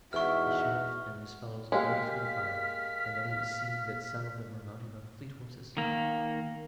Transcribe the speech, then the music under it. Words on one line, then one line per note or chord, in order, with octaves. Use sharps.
The Sheriff and his fellows broke through the fire; and then it was seen that some of them were mounted on fleet horses.
E2 G#2 F#4 E5 C#6 F6
G#3 A#3 G4 F5 F6 B6
D#3 A#3